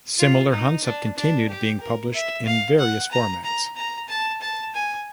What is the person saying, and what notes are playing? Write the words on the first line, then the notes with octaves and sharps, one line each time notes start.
Similar hunts have continued being published in various formats.
F4
D#4
D4
D4
G4
A#4
E5
F5
F#5
A#5
A#5
A#5
A5
A5
G#5